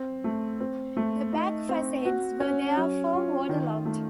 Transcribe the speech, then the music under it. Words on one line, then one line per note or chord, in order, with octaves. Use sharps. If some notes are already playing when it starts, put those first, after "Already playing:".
The back facades were therefore water-locked.
Already playing: C4
A3
C4
A3
D#4
C4
F#4
C#4
F#3
F4
D#3
A3